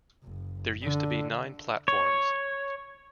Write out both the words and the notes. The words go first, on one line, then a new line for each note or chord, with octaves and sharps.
There used to be nine platforms.
F#1
D3
C#5